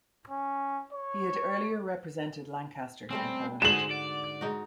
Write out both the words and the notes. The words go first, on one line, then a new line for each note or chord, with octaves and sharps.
He had earlier represented Lancaster in Parliament.
C#4
C#5
G3 A3 C4 C#4
G#2 D3 F#4 G#4 C5 E7 F#7
D5
G#2 D#4 F#4